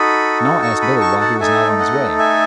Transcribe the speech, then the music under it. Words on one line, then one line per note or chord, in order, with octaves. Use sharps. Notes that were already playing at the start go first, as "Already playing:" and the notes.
And all asked Billy why he was not on his way.
Already playing: D#4 F#4 A4 B5 D#6
A5 C#6
B5 D#6
A5 C#6
F#5 A5
A3 D#4 A4 E5 G#5
D#5 F#5
E5 G#5